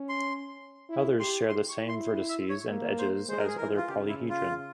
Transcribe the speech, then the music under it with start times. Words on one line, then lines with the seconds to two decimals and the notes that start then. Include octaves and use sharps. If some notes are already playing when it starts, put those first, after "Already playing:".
Others share the same vertices and edges as other polyhedron.
Already playing: C#4
0.09 C6
0.89 E4
1.20 G4 C6
1.49 C6
1.69 C#6
1.79 E4
1.89 C6
2.29 E5
2.49 C#5
2.69 A#3
2.99 C5
3.28 G#3 C5
3.38 A#4
3.47 G#4
3.57 E3 A#4
3.77 F4
3.88 C#3 G4
4.08 E4
4.30 F4